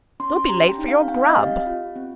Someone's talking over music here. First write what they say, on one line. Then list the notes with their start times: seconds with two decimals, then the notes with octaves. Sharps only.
You'll be late for your grub!'
0.20 C#4 C6
0.49 G4 A#5
0.69 G5
0.78 D#4
0.88 F5
1.08 C4 G5
1.17 F5
1.27 D#5
1.37 G4 F5
1.66 F4
1.96 C4